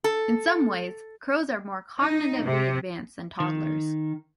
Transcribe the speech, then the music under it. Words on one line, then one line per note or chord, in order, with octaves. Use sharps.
In some ways, crows are more cognitively advanced than toddlers.
A4
D#4
C3
D#3